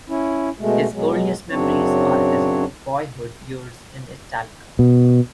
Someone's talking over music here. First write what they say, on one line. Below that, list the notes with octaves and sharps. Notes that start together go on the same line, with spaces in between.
His earliest memories are his boyhood years in Italica.
C#4 E4
B2 G#3 A3
B2 F#3 G#3
F#2 C#3 F#3 C4 D4 C#5
B2